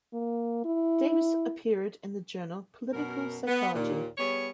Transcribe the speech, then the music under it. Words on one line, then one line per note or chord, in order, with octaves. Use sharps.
Davis appeared in the journal "Political Psychology".
A#3
E4
F#2 B2 F#3 A#4
B3
D#2 A#2
G3 B3 G#4 C#5